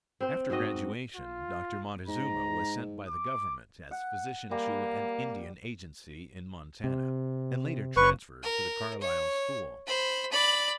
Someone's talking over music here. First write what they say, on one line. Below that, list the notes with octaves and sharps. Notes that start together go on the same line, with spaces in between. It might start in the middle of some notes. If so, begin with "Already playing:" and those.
After graduation Dr. Montezuma was sent by the Government as physician to an Indian agency in Montana, and later transferred to the Carlisle school.
C4 C5
G#2 C4 F#4 D#5
F4
G#2 A#5
D6
F#5
G3 A#3
C3
F#1 B4 C#6
A#4
C#5
C5 B5
D5 B5